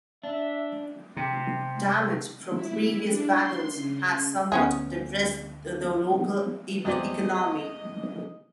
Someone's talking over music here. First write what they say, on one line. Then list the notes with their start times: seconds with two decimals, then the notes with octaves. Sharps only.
Damage from previous battles has somewhat depressed the local economy.
0.24 D4 E5
1.17 C3
2.55 E4
3.00 D4
3.32 C6
3.74 C#3
4.52 D2 B3 C#4 G#4
6.85 E2 C4 D5 D#5